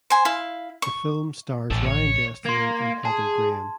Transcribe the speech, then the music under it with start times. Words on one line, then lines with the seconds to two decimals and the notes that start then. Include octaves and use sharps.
The film stars Ryan Destiny and Heather Graham.
0.10 C5 G#5
0.25 E4 F5
0.82 C#6
1.71 A1 A#2 A4
1.86 C#5
2.46 A#3 C6 G#6
3.05 G#4 A5